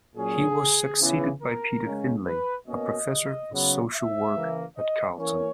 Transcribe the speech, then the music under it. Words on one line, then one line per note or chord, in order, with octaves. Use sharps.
He was succeeded by Peter Findlay, a professor of Social Work at Carleton.
A#2 F#3 C#4 G#4
C#3 E3 B3
A#4
C#3 G#3 C#4
B4
B2 A#3 C#4 D#5
C#3 F#3 B3
E5
C#3 E3 A#3
D#5
E3 A#3 C#4 C#5